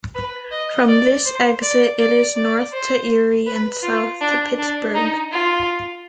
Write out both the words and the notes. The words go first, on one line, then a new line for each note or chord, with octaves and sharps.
From this exit it is north to Erie and south to Pittsburgh.
B4
D#5
D5
C5
D5
D5
D5
C5
B4
F4
D4
D4
D#4
F4